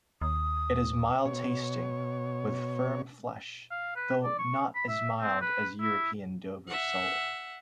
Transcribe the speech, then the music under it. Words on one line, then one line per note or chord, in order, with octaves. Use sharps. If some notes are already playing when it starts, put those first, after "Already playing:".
It is mild-tasting, with firm flesh, though "not as mild as European Dover sole".
D#2 D#6
B2 C#5
F5
B4
D5
C#6
B5
E5
C4
B4
E4
E5 F#5